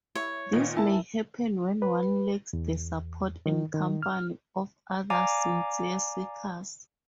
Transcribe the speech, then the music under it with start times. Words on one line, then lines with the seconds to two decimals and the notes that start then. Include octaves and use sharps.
This may happen when one lacks the support and company of other sincere seekers.
0.15 E4 C#5
0.53 A#2 D#3 B3 D#4
0.77 E4 A#4 G#5 A5
1.82 B4
2.53 E2
3.46 D#3
3.74 D#3
4.03 F6
5.10 D5 F5 G#5 A#5 D6